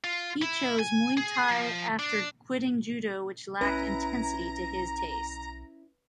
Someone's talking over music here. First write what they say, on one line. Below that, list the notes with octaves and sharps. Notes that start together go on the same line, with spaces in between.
He chose Muay Thai after quitting Judo which lacked intensity to his taste.
F4
E4
G#5
G#4
F3
D4
B1 C#4 E4 B4 A#5